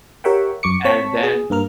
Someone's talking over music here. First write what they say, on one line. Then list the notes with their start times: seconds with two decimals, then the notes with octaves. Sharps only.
and then
0.24 G4 A#4 C#5 E5 F#5 G5
0.63 F#2 C#6 D6 C#7
0.85 C4 C#5 A5 C#6 B6
1.23 G#4
1.50 G2 A#3 A#4 F6